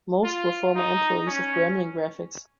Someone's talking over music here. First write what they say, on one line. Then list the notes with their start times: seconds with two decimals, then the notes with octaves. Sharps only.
Most were former employees of Gremlin Graphics.
0.24 F4
0.76 D#4
1.27 C#4